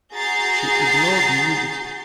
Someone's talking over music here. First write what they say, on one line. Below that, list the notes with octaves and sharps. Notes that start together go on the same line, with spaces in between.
She ignored nudity.
F#4 G#4 A#5 G6 A6 C7